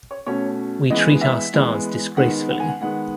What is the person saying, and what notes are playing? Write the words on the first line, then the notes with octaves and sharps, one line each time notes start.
We treat our stars disgracefully.
C#5
B2 A3 C#4 C#5
E3 G#3 B3 D#5
E5
E3 G#3 B3
D#3 G#3 B3 F#5
F#5
G#5
F#5
D#3 G#3 B3 F#5